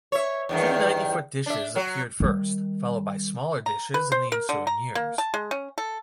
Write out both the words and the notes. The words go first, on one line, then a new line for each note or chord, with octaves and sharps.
Two ninety-foot dishes appeared first, followed by smaller dishes in the ensuing years.
C#5 E5
E2 G2 D#3
D4 E5
F#3
D#3 G3
A#5
B4
C5
A#4
D3
A#5
A#3
A5
G#3
C#4
A4